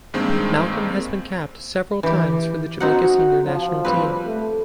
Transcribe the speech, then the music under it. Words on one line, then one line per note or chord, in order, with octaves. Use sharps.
Malcolm has been capped several times for the Jamaica senior national team.
G2 D#3 G#3 A#3 C4
E3 G4
C4 D#4 F#4 F#5
F3
G3 C4 B4
A3